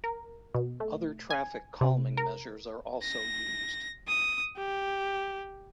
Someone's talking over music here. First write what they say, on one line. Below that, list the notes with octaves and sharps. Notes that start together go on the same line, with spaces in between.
Other traffic calming measures are also used.
A#4
B2
A3
G#5
C3
A#4
A#6
D#6
G4